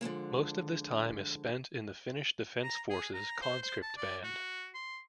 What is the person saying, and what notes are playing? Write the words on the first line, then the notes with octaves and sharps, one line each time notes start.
Most of this time is spent in the Finnish Defence Forces Conscript Band.
D3 F3 G#3 A#3
A#5
G#4
A#5
C5
C5
A5
D5
F#4
C6